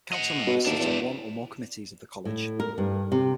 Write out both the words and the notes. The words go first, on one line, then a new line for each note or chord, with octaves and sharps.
Council members sit on one or more committees of the College.
D#5 F#5
B2
D#2 D4 E4
E2
A2
A#4
G2
C3